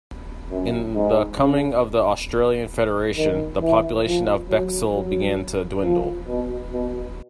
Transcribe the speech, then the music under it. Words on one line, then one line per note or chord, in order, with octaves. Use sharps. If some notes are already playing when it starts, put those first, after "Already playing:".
In the coming of the Australian federation the population of Bexhill began to dwindle.
F#2
G#2
C#3
D#3
E3
F3
F#3
F#3
F3
B2
B2